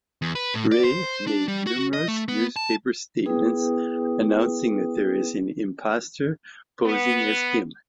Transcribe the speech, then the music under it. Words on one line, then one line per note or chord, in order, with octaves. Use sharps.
Rey made numerous newspaper statements announcing that there is an imposter posing as him.
E2
B4
A2
D5
C5
D4
G3
F#4
D#5
A3
B3
A5
B3 E4 G#4 B4 G5 D#6
B3